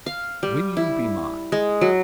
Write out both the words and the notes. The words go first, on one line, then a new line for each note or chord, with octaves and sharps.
Will you be mine?
F5
G3
E4
G#3
F#3